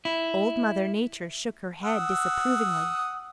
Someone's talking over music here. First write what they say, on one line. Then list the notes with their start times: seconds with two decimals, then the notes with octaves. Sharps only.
Old Mother Nature shook her head disapprovingly.
0.05 E4
1.84 F#5 D#6 E6